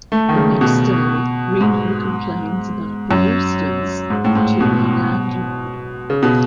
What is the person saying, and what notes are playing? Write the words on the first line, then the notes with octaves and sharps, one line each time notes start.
The next day, Reno complains about the Roosters to their landlord.
A3
D#3
C#3
B2
G#2
F#2
G#2
A2
G#2
B2
C#3
B2